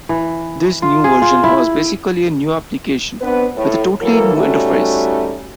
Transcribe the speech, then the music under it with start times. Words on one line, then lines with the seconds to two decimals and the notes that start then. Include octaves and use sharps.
This new version was basically a new application, with a totally new interface.
0.09 E3
0.82 F4
1.04 G#4
1.22 F4
1.44 E4
3.21 B3 C4 D4 B4
3.56 A2
4.01 E3 F#3 A#3 A4 A#4
4.36 G3 A3 C#4 D#4 F#4